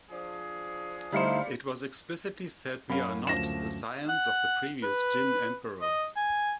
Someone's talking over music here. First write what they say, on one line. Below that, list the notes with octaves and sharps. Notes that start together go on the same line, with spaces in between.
It was explicitly said we are not the scions of the previous Jin emperors.
F3 D4 G#4
D2 G3 A3 D#4 E4 C5 F5 C#7
F#2 C#4 F5 B5
D2 F3 A#6 E7
F#5
B4
D#5
G#5